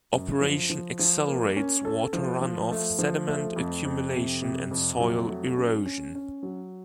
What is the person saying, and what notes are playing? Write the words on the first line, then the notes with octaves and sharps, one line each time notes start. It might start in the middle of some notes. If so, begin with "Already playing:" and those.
Operation accelerates water run-off, sediment accumulation and soil erosion.
F#2
F3
F3
F3
A#3
C#4
A4
F3
F3
A3
F3
A3
F2
F2
C3
C3
F2
F#3
A3
C#4
C#4
C#4
F#3